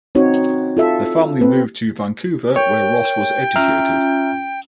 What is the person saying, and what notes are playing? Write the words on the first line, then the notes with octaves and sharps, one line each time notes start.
The family moved to Vancouver where Ross was educated.
C4 D#4 F#4 C#5
F4 A4 E5
C4 B4
A#4 C#5 G5
C#4 F4 E5 A#5 F6